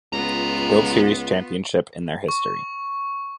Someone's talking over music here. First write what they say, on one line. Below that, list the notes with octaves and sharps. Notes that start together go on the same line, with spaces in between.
World Series championship in their history.
C#2 G3 B3 F4 A#5
C#6